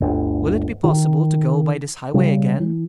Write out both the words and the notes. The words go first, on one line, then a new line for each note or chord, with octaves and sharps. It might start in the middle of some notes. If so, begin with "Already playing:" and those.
"Will it be possible to go by this highway again?"
G1 D2 D3
D#3
C#3 G3
E3